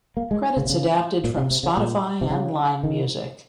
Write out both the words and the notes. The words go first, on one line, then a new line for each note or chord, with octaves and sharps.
Credits adapted from Spotify and Line Music.
A#3
G#3
C#3
C3
C#3
A#2
C3
C3
C#3
A#2
C3
C#3
D#3